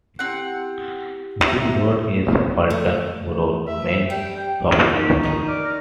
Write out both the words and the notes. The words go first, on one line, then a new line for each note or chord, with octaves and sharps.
Bridge Road is Oulton Broad's main shopping street.
C4 E4 G4 F#5
D#4 E5
A3
E5
G3 G5
D#3 G4
A#5 C#6
D#4 D#6
D5 D6 F6
A#4